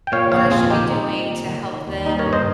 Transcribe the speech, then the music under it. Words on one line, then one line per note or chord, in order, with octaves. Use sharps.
what I should be doing to help them
G5
A#2 C#5 F5
A#1 C#5 F5
F2 F4 G#4
D#3 D#4 G4
C4 D#4
A#2
D#3
D#3
D#3
D#2
G3 D#4
A#4 C#5
G2
C5 D#5